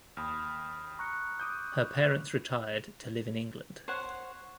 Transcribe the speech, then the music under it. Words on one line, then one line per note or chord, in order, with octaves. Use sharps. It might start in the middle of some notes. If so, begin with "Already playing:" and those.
Her parents retired to live in England.
D#2 B5 D#6 F6
A#5 C#6 F#6 C#7
D6 D#6 G6
C5 C#5 F#5